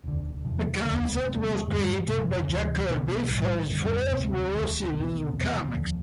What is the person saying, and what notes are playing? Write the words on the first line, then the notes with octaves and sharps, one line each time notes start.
The concept was created by Jack Kirby for his Fourth World series of comics.
E1 D2 D3
E2 C3 F3
E1 D2 D3
E2 C3 G3 B3
G2 D3 G3
F1 E2 C3
D2 C3 E3
B1 B2 B3
B1 A2 G3
G1 F2 D3 G3
D2 C3 G3 C4
E1 D2 D3
B1 B2 B3
E2 C3 E3 B3
D2 D3 F3